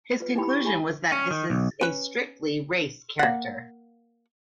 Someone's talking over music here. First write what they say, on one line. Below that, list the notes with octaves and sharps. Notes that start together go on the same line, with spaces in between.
His conclusion was that this is a strictly race character.
F4 B4
D#4 E4 G4 G5 B5
C#6
D#4 G4 G#5 A#5 B5
C#4
D#3
B1
C#4 B4
A#3 F#5